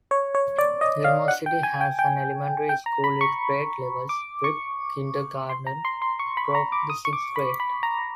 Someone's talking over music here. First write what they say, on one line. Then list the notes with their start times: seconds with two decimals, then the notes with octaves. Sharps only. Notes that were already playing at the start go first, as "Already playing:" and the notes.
Gilmore City has an elementary school with grade levels prep-kindergarten through the sixth grade.
0.11 C#5
0.35 C#5
0.58 D5
0.81 D#5
1.04 F5
1.28 F#5
1.46 G5
1.63 G#5
1.81 G5
1.99 G5
2.69 G5
2.86 A#5
3.04 B5
3.21 C#6
4.09 D6
4.44 C#6
5.49 C6
5.67 A#5
5.85 C6
6.02 C6
6.19 C#6
6.37 B5
6.55 A#5
6.72 D6
6.90 D#6
7.05 C#6
7.13 D6
7.36 B5
7.60 B5
7.83 A#5